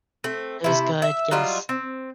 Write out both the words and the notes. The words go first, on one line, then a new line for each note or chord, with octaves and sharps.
It was good, yes.
A3 C4
C3 E4
E5
F#3 G3 F4 D#5
C4